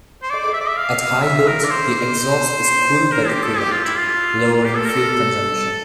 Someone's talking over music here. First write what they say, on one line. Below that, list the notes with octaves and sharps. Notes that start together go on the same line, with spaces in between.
At high loads, the exhaust is cooled by the coolant, lowering fuel consumption.
C5
D5
E5
D5
E5
F5
E5
A#4
D5
C5
A#4
G4
A4
G4
F4
E4
F4
F4
G4
A4
A#4
A4